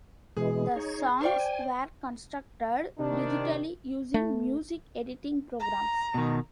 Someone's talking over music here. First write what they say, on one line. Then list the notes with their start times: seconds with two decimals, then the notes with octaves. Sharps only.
The songs were constructed digitally using music editing programs.
0.37 B2 E3 G#3 G#4
0.76 D#4 C#5
1.21 C5 D5 F5 G5 C#6
1.39 G#5
2.98 C3 D#3 D4
4.14 A3
5.59 A#5
6.14 B2 D#3